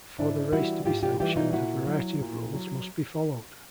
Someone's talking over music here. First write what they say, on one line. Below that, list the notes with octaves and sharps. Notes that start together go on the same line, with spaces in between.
For the race to be sanctioned, a variety of rules must be followed.
G#2 D4 E4
E3 G3 E4 F#4
G#2 F4 G4
F4 G4
E3 G3 F4 G4
D#4 F4
A#2 E4 F#4
F#3
A#2
F#3